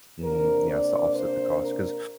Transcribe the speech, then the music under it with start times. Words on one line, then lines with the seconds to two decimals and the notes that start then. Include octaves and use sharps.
mm, yes, to offset the cost 'cause
0.22 C3 A#3 D4 A#4
0.68 D5
1.13 C5
1.58 A#4